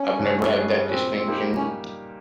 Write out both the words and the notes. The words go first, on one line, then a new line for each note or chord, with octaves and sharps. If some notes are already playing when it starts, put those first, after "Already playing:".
I've never had that distinction.
Already playing: C#4
G2
G3 C#4 G#4
C#4
A#2 C4
G3 A#3 D#4 G4
C#4